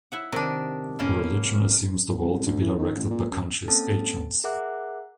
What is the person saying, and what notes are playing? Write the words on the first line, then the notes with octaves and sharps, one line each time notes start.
Religion assumes the world to be directed by conscious agents.
E4 E5 F#5
C3 D#3 D4
B2 A#3 C#4
C2
C2
D2
E3
D#3
A1
A#2
F#2
A#3 C4 C#4 A4 A5
G#4 A#4 E5 F#5 D6 F#6